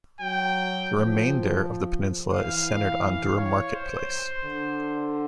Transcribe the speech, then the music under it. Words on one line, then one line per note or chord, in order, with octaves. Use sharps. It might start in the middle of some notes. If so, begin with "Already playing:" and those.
The remainder of the peninsula is centred on Durham Market Place.
F#3 G5
F3
E3 F5
F5
F5
C#5
C5
D3